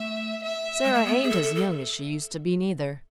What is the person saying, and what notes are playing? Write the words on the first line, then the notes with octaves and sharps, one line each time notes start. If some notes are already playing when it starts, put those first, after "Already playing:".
Sara ain't as young as she used to be, neither.
Already playing: A3 E5
E5
G#3
A3
B3
G#4
A4
A4
A4